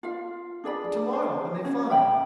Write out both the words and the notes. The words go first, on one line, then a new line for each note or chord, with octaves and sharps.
"But tomorrow when they find...."
F4 F5
D4 G#4 D5 B5
C5
C#4 C#5
E5 G5 B5